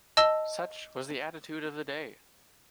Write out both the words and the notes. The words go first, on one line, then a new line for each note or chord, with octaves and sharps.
Such was the attitude of the day.
D#5 A5 E6 G7